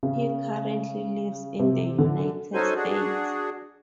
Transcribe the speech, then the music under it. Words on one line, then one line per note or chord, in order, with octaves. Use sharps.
He currently lives in the United States.
C#3
C3
D3
C#4 D#4 F#4 A4 C5 G#5
D4 F#4 G#4